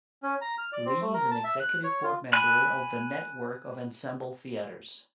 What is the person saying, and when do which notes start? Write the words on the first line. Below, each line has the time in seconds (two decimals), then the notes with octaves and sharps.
Lee is an executive board member of the Network of Ensemble Theatres.
0.23 C#4
0.41 A#5
0.58 F6
0.73 D5
0.86 C4
1.01 A3
1.14 A#4
1.31 A5
1.44 E5
1.60 F#6
1.84 C#5
2.03 F4
2.33 G#5 B5 F#6